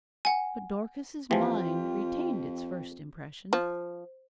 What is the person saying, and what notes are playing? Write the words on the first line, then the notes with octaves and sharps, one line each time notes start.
But Dorcas's mind retained its first impression.
F#5 G#5
F2 E3 F3 F4 G4
F3